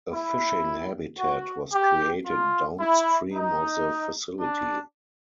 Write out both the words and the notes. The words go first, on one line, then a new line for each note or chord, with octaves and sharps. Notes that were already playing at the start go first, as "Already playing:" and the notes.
A fishing habitat was created downstream of the facility.
E4
F#4
G4
F4
E4
D#4
D4